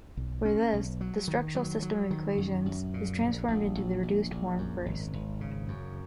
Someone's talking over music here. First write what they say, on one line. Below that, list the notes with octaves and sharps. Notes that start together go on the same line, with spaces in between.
For this, the structural system of equations is transformed into the reduced form first.
B1
C#4
B1
F#3
D#3
F#3
F#3
D#3
F#2
F#2
A#2
A#1
A#1
A#1
A#1
A#1
F#2
G#1
G#1
C#3
F#2